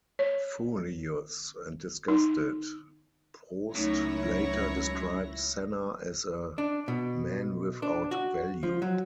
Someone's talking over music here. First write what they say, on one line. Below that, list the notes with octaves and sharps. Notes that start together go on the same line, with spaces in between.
Furious and disgusted, Prost later described Senna as "a man without value".
C#5
D#4
C#2 F#2 A3 D#4 E4 C#5 A#6
D4
B2
D4
F#4
F3
F#3